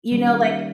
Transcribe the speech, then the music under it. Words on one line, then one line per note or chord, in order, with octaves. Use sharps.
You know, like
D#3 G3 A#3 C#4